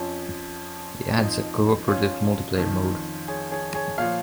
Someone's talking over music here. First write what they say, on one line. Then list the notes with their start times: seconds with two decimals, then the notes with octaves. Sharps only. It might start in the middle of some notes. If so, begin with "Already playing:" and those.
It adds a cooperative multiplayer mode.
Already playing: F2 F3 C#4
1.18 F2 F3 D#4
1.88 C#4 F4
2.58 F2 D#3
3.28 G#4 C#5
3.51 G#4 C#5
3.75 G#4 C#5
3.98 A#2 F3 C#5 F5